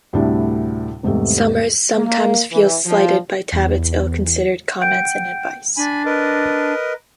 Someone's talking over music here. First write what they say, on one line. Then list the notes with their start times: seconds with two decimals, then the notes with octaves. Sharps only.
Summers sometimes feels slighted by Talbot's ill-considered comments and advice.
0.13 D2 A2 C3 G3 D4 E4
1.03 E2 G#2 C3 G3 A3
1.97 A#3
2.51 E3
2.86 F3
3.52 E2
4.81 F#5 G5 G6 D7
5.77 D4 G#5 B5
6.06 A#4 B4 D#5